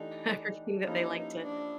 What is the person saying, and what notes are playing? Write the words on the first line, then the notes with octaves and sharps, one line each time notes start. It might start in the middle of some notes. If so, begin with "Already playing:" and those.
everything that they like to
Already playing: E3 A3 D4 D#4 G4
F3 A#3 C#4 D#4 E4 G4
D4